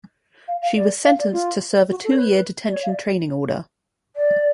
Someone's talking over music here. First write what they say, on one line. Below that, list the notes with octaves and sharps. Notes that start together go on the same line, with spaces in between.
She was sentenced to serve a two-year detention training order.
F5
F5
D5
F5
D5
F4
F#4
A4
C#5
B4
D5
C#5
F5
D5
D5